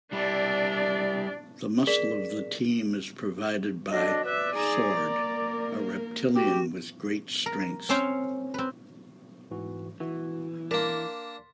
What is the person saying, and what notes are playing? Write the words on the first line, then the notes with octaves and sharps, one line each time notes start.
The muscle of the team is provided by "Sord", a reptilian with great strength.
G3 D4 E4 D5
G#4 A#4 D5 B6 E7
F#3 D4 A4 D#5
B4 D5 E5
D#4 G#4 A#5
A#3 A#4
F#4 G4
A#4
C4 C#4 C5 C#5 F5 G5
C4 B4
G#2 E3 F#4
E3 F#4
A#3 D4 A#4 C6 A6 B6